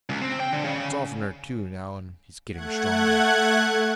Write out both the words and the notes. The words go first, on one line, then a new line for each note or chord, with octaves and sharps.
It's oftener, too, now, and he's getting stronger.
C#2
C4
G5
D3
C#3
A3 F#5 F#6 G#6